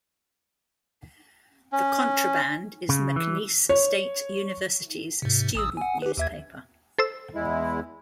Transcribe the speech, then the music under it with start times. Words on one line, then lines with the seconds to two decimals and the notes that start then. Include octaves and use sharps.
"The Contraband" is McNeese State University's student newspaper.
1.72 C#4
2.89 C#3
3.16 E3
3.69 C#5
5.22 G#2 C3
5.55 A1 D#6 E6
5.77 F#5 G#5
6.02 G4 B4
6.17 D#2 E5 G#6
6.98 A4 C5 E6
7.35 E2 G#3 E4